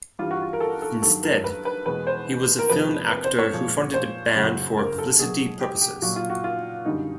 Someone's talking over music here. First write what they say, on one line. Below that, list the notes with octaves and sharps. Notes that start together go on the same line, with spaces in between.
Instead, he was a film actor who fronted a band for publicity purposes.
G2 E3 G3 F4
F#4
F4
A#4
A4
A4
G2 D#3 F#3 A4
A#4
B4
B4
E2 B2 G#3 B4
C5
A#4
F2 C3 F3 G#3 B4
B4
C5
C#5
A#2 F3 G#3
C5
F#2 C#3 F#3
A#4
A4
B2 F#3 G#4
G4
G4
A#2 F#3 F#4
F4
F#4
F4
F#2 D3 G3 D#4